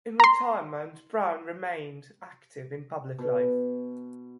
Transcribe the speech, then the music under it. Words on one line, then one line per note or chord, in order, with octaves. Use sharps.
In retirement Brown remained active in public life.
A#5 C6
B2